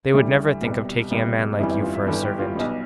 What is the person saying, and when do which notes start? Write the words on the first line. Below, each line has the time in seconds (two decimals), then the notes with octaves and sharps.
They would never think of taking a man like you for a servant.
0.14 D2 D3 G3 E4
0.62 C2 B2 G3
1.11 C2 B2 G3
1.59 G1 F2 E3 G3 E4
1.71 E4
1.82 F4
1.95 E5
2.07 G1 G2 E3 G3 A4
2.23 G4
2.39 F4
2.55 B1 B2 G3